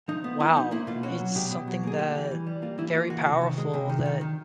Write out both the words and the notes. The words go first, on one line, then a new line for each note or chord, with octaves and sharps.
wow. It's something that very powerful that
F3 D#4
B3
B3 E4
F3 D#4
A#3 E4
B2 F4
C#4 F#4
F#3
B2 G4
B2
F#3
A#3 G#4
G3 G4
E3
E3
G3
A#3 F4
E3 E4
A#3 F4
E3 F#4
C3 F#4
D#3
G#3
C3
D#3
D#3
D#3